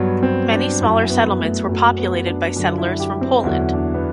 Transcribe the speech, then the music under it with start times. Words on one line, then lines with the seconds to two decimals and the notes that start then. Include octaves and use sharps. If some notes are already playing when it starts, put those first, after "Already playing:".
Many smaller settlements were populated by settlers from Poland.
Already playing: G2 F#3 B3
0.23 C4
0.52 D4
0.81 F#2 F#3 E4
1.10 B3
1.39 A3
1.69 F#2 F#3 A3
1.98 B3
2.27 D4
2.56 F#2 D3 F#3 D4
2.78 E4
3.00 G4
3.21 C4
3.43 E2 D3 F#3 E4
3.73 D4
3.94 B3